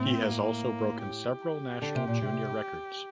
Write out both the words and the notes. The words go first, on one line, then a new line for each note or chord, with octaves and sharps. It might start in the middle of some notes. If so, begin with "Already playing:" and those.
He has also broken several national junior records.
Already playing: A2 C4
A#3
G4
D3
C3
A#2
C3